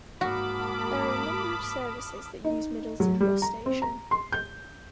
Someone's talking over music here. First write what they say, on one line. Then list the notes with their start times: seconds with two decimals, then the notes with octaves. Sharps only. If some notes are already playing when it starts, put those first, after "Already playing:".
There are a number of services that use Middleton bus station.
0.21 G#2 A#3 F#4 A5 B5 D6 D#6 F6
2.44 D#4
3.00 F#3
3.20 G3
3.42 A#5
3.66 C4
3.82 A#5
4.11 C6
4.32 G6